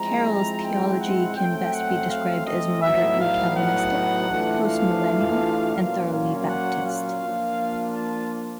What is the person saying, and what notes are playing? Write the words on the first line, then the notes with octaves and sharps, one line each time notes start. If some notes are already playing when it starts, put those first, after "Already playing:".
Carroll's theology can best be described as moderately Calvinistic, postmillennial, and thoroughly Baptist.
Already playing: F3 G#3 C4 E4 A#5
G5
F#5
F#3 A3 C4 G5
F#5
F5
D#5
A2 F#3 B3 D#4 E5
F5
F#5
E3 A3 D4 F4
F5
A#2 F#3 A#3 C#4 F4 F5
F5
F#5
F5
F3 A#3 D4 F4
A5